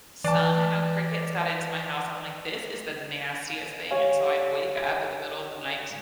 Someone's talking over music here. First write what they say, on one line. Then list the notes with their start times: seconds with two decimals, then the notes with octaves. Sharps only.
Somehow crickets got into my house, I'm like, "This is the nastiest thing," and, so, I'd wake up in the middle of the night to
0.24 E3 D5 A5
3.91 G4 C#5 F5 G#5